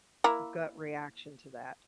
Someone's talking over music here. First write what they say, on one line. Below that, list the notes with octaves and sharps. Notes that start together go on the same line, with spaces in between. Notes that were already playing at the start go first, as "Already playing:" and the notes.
gut reaction to that?
A#3 E4 A#5